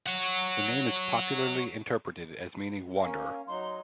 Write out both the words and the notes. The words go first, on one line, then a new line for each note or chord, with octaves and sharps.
The name is popularly interpreted as meaning wanderer.
C#5 F#5
A#3 C#4
F#3 D#4 C6